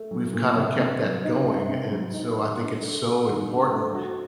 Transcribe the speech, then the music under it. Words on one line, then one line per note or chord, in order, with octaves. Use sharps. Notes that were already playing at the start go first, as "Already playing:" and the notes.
we've kinda kept that going, and so, I think it's so important,
Already playing: A3
F#3
A#2
C3
C4
F#3
D#4
C3
C4
F#3
D#4
D#3
D4
A3
F#4
D#3
D4
A3
F#4